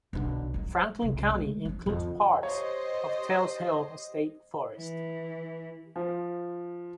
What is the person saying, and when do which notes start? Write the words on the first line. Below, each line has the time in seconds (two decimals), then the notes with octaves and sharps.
Franklin County includes part of Tate's Hell State Forest.
0.13 B1 D3
0.54 F#3 G#3
1.02 C2 C#3
1.30 G#3 A3
1.65 F3 D4
1.86 F2 D3
2.43 G4 C5 C#5 D#5
4.76 E3
5.96 F3